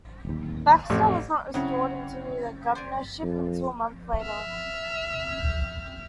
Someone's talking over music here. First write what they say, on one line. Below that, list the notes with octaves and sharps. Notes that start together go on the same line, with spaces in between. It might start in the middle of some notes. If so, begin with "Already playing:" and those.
Baxter was not restored to the governorship until a month later.
D1 D#2
A1 F2 A2 C4
C#3 F#3 C4 C#4 E4
C5 D5 G#5
F2
E5 F6